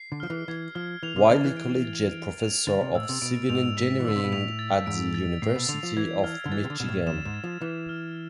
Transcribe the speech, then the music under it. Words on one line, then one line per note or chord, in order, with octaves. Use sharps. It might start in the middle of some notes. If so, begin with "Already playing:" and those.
Wylie Collegiate Professor of Civil Engineering at the University of Michigan.
Already playing: C7
D3
F3 F6
E3
E3 G#6
F3 F6
E3 F7
C3
D3 A6
E3
D7
A6
D7
F7
D3 A6
C3
A2 E6
C3
B2 D7
G#2 F7
B6
E3
D3 E6
C3
B2
A2 F7
A6
G#2 D7
A6
A2 C7
B2
D3 F7
F3
E3 G#6
F6
D3
E3 A6
C3
D3
B2 E7
A2
F2 E7
G#2
A6
F3
E3 E7
F6